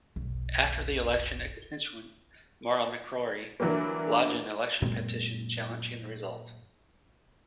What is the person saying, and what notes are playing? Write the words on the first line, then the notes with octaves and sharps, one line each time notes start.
After the election a constituent, Maura McCrory, lodged an election petition challenging the result.
F1 B1
D3 E3 F#3 G3 A#3
F#2 A#2 G#3 C4